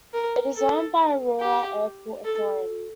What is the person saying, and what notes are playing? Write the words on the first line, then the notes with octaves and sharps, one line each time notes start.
It is owned by Aurora Airport Authority.
A#4
A4
G4
A4